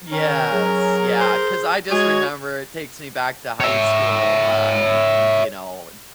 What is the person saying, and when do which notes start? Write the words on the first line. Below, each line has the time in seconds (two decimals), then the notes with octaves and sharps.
Yes. Yeah, 'cause I, just, remember it takes me back to high school, um, you know,
0.12 D#3 C#4 A#4
0.52 F#3 G#4
1.20 C5
1.91 G#3 F#4 G#4 C#5 G#6
3.60 C#5 E5